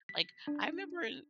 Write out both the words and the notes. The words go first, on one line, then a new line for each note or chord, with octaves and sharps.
like, I remember i
B6
D4